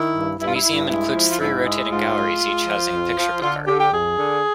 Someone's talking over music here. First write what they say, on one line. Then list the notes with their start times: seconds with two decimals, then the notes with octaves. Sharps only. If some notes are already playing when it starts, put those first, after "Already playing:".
The museum includes three rotating galleries, each housing picture book art.
Already playing: D#3 E4
0.14 G2
0.39 G2 E4
0.48 F4
0.56 E4
0.65 G2
0.89 G#3 E4
1.15 F3
1.30 F4
1.39 G#2 E4
1.65 G#3
1.90 G#2 F4
2.15 G#3
2.41 G#3
2.66 F3
2.92 F2
3.17 F3
3.42 D3 F4
3.67 D3 G4
3.80 G4
3.92 F2 G#4
4.18 D3